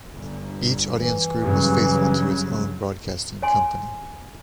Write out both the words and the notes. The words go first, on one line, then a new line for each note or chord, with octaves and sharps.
Each audience group was faithful to its own broadcasting company.
G1
E3
G2 C#3 F#3
C#5 G#5 C6